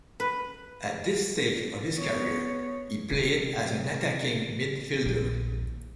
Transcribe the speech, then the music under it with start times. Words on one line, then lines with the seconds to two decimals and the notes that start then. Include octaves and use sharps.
At this stage of his career, he played as an attacking midfielder.
0.20 B4
1.94 B3 C#5
3.12 C3
5.03 A#1 D#2